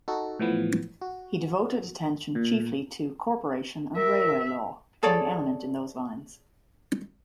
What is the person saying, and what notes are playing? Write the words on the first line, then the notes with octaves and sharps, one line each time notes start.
He devoted attention chiefly to corporation and railway law, becoming eminent in those lines.
D#4 F#4 A4
A2 E3 F3 B3
F#4
A#2
A#4 E5
G#4 A4 C#5 D5